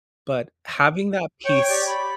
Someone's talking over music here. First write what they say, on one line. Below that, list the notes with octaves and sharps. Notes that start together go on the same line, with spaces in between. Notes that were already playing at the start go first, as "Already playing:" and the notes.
but having that piece
C#5 G5 C#6
G4 D5
B5